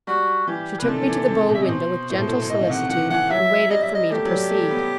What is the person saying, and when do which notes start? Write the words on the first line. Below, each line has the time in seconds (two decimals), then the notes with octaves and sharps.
She took me to the bow-window with gentle solicitude, and waited for me to proceed.
0.07 G3 F#4
0.47 E3 G4
0.79 C3 B4
0.88 D#3 A4
1.02 D#3
1.09 E3
1.28 C3
1.49 B2
1.55 E5
1.61 C3 D#5
1.69 B2 C5
2.09 A2 C5
2.18 B2
2.28 A2
2.42 B2
2.49 A2 D#5
2.61 D#3
2.69 C3 F#5
2.89 D#3 F#5
3.10 E3 F#5
3.30 F#3 E5
3.70 G3 D#5
3.82 E5
3.95 D#5
4.11 A3 G4
4.25 F#3
4.31 G3
4.51 A3
4.71 B3